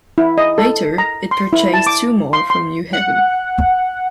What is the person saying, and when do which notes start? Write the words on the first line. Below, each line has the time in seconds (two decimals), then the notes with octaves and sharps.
Later it purchased two more from New Haven.
0.18 E4
0.38 D#5
0.58 A4
0.98 A#5
1.31 C6
1.53 E4
1.74 A5
1.87 D6
2.33 C6
2.50 C6
2.93 F#5